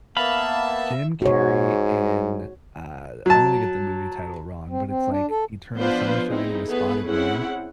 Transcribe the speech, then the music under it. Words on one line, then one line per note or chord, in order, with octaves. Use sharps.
Jim Carrey in uh, I'm gonna get the movie title wrong, but it's like Eternal Sunshine in a Spotted Mind.
A#3 B3 E5 F5 A5 B5
G#2 F#4 C#5
F#3 A5
C4
C4
D4
A4
F3 B3 D4 F4 B4 C5
C4 D#4 E4 G#4
A3 B3 G#4 B4
C4 C#4 E4 G#4 F#5